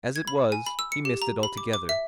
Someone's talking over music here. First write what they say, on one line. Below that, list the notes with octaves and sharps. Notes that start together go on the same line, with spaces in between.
As it was, he missed it altogether.
G#6
B5
G#5
B5
E6
C#7
G4
A#5
B5
D6
D6
E5